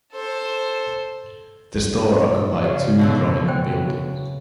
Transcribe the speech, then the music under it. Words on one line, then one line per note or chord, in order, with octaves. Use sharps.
The store occupied two prominent buildings.
A4 C5
C#3 F#4 C#5 D5
B2 D3 F#3
C5 G5 G#5